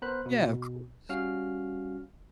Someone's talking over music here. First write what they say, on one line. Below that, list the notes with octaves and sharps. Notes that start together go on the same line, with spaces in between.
Yeah, of course.
B3 A#4 C5 B5 F#6
B2
G3 C#4 F#4 F5 F6